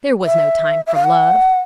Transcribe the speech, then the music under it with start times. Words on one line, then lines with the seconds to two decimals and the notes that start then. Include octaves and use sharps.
There was no time for love.
0.25 E5
0.87 E5
0.95 F5
1.04 F#5